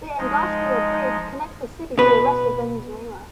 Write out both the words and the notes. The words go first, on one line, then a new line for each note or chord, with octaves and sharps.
The Angostura Bridge connects the city to the rest of Venezuela.
F3 G#3 D#4
B2 B4